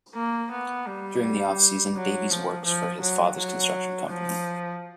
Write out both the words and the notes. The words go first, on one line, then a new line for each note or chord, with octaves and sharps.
During the offseason, Davies works for his father's construction company.
A#3
B3
G3
G3
F#3
F3
F3
F#3
F#3
F3